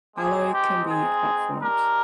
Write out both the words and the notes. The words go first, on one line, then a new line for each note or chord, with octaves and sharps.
Alloy can be hot formed.
G#3 C4 D#4 G4 G#4
G4
G#4
G#3 D4 G4 A#4